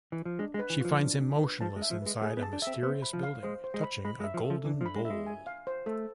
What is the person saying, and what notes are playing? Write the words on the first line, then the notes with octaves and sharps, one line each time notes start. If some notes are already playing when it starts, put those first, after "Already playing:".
She finds him motionless inside a mysterious building, touching a golden bowl.
E3
F3
G#3 D4
G#3
B4
E3
F3 F4
D4
D4
B4
F3 A5
G#3
E5
F3
G#3 B4
A3 G#4
B3
A5
D4
C4 E5
B3 C5
B5
F3
F5
G#3 C5
C5
G#3
B5
G#3 B5
G#3
E5
F3
A4
F3
E3 D4
F3
B5
G#3
E5
G#3
G#5
F5
C5
A3 A4